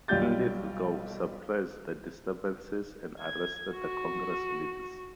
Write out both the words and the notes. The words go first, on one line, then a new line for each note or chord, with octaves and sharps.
Linlithgow suppressed the disturbances and arrested the Congress leaders.
B1 G3 F4 G4 G6 A6
G#6
F#4